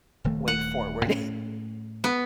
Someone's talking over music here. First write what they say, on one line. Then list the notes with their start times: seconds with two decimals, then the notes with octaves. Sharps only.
way forward.
0.24 D#1 D#3 A3
0.48 F#5
1.05 A2 C#4
2.04 B3